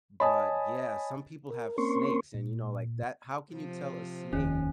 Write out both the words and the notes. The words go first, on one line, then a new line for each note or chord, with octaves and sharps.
but, yeah, some people have snakes and, you know, like that how can you tell a snake
C#5 D#5 G#5 A5 B5 D#6
A#4
A#3 C4 C#4 A#4 C6 C#6
A#2
C3 F3
F1 D#2 D#3 C#4